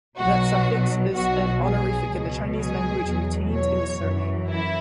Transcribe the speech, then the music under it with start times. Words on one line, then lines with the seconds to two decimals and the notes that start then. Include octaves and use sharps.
That suffix is an honorific in the Chinese language retained in the surname.
0.18 B1 B2 F#3 F#4
1.14 B1 B2 F#3 F#4
1.61 G#4
2.09 C#2 B2 F#3
2.58 G#4
3.06 E2 B2 F#3
3.53 C#5
4.01 F#2 E3
4.49 E4